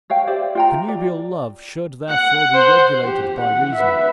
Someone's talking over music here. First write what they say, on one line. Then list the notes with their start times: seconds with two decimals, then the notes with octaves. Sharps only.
Connubial love should, therefore, be regulated by reason.
0.10 C#5 F5 G5
0.27 G4 C5 D5 E5
0.55 F4 G5 A#5
0.88 D5
2.10 F#5
2.54 C5
3.04 G4
3.41 F#5
3.75 B4 E5